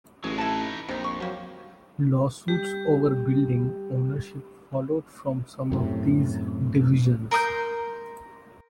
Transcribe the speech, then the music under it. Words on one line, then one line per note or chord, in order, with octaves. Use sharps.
Lawsuits over building ownership followed from some of these divisions.
A1 F#3 G#3 G#4
D#4 E4 B4 A5
A#1 F2 C3 D#4
C#6
F#3 A#3 G4
G3 G4
F#2 A2 C3
A#4 C6 D#6 G6